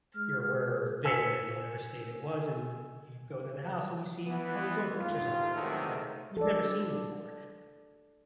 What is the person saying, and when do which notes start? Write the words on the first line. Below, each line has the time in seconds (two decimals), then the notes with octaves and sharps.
you're where they live, and whatever state it was, and you go into the house, and you see all these old pictures on the wall that you've never seen before,
0.15 G#3 F6
0.48 G#4
1.05 G#5 E6 B6 C#7
4.26 E3 B3
4.97 G#1 D#2 F4
5.54 E2 C3 D#3 F#3 G#3 A3
6.37 A4 D5